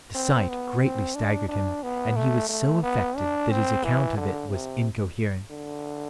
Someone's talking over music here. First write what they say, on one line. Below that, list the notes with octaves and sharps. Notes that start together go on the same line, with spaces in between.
The sight greatly staggered him, and he was so affected that his account of it was incoherent.
C4
B3
C4
D4
D4
B3
A3
A3
B3
D4
C4
E3
D3
C3
D3